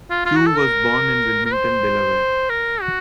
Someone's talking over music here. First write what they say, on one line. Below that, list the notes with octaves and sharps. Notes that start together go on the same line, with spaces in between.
Shue was born in Wilmington, Delaware.
F4
F4
F#4
A4
A#4
A#4
C5
A#4
F#4